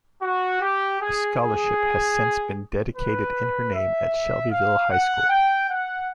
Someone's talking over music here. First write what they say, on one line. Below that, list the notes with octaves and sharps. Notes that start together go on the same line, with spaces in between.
A scholarship has since been dedicated in her name at Shelbyville High School.
F#4
G4
G#4
G#4
B4
E5
F5
F#5
G5
F#5